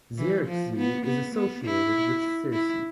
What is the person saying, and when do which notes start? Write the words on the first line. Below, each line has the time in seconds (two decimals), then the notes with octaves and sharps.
Zierikzee is associated with Circe.
0.18 E3
0.48 F3
0.77 B3
1.06 B3
1.35 B3
1.65 E4
2.53 E4